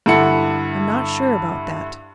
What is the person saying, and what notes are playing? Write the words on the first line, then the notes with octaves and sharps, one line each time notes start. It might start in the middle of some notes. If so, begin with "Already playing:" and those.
"I'm not sure about that."
G2 D3 E4 F#5 C#7